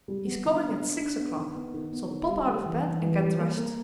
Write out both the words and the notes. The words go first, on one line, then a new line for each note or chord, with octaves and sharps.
He is coming at six o'clock; so pop out of bed and get dressed.
G3
B3
D3
B3
D4
D4
B3
D#3
B3
D#3
B3
D#3
G3
G3
E3
E3
E3
G3
A#3
A#3